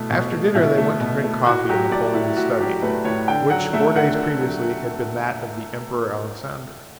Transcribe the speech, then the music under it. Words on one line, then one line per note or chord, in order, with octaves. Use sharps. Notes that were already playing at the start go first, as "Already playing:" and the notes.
After dinner they went to drink coffee in Napoleon's study, which four days previously had been that of the Emperor Alexander.
Already playing: B2 A3 E4
B2
A3
B2 E4
A3
B2
A3
A2 F#4
F#3 G4
A3 D5
A2 E4
A2 F#4
F#3 G4
A3 B4
A2 C#5
D3 G5
F#3 F#5
A3 E5
D3 F#5
D3
F#3